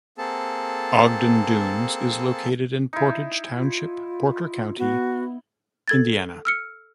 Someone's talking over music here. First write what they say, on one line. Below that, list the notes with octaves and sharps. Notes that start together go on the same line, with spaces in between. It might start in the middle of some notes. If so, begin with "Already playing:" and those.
Ogden Dunes is located in Portage Township, Porter County, Indiana.
A#3 C4 G#4 A4 A5
D#4 E4
F4
B3 F#4
A4 G#6 A6
E6 F6 C#7